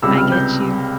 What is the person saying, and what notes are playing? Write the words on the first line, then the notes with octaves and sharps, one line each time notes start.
I get you.
C#2 C3 G3 E6
F6
G6